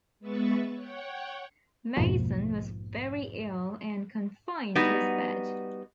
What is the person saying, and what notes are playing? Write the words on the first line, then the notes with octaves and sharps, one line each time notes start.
Mason was very ill and confined to his bed.
G#3 B3 B4 E5 C#6 A6
C#5 F#5 G5
A#1 F2 G#2 B2 F3 A#3
G3 B3 D#4 F#4